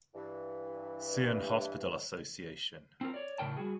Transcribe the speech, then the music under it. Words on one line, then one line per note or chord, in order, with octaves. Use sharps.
Zion Hospital Association.
G2 E3
C4 F4 A#4
C#5 D5
A2 C#3 A#4 G5 A5
G3 F#4 G#4